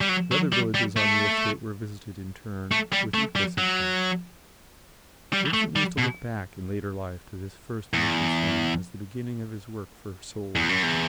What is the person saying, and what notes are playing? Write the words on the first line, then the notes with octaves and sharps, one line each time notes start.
The other villages on the estate were visited in turn, with equal success. Vincent used to look back in later life to this first mission sermon as the beginning of his work for souls.
G3
F#3
F#3
G3
G3
A3
A3
G3
A3
G3
F#3
G3
A3
G3
B2
E2
E2
F#2
E2